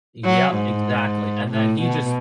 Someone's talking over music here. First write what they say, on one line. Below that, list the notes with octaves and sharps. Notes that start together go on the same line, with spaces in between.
Yep, exactly, and then he just
F#3
G#2
A2
B2